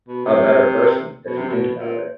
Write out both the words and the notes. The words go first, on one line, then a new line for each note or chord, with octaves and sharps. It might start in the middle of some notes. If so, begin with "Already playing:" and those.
a better person, if you think about it.
B2
C3
B2
C3
B2
A#2